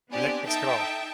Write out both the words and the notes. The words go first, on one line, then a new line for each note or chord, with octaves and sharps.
next call.
B3 C4 D4 G4 D5 G#5
D#4 A4 E5 G5 A5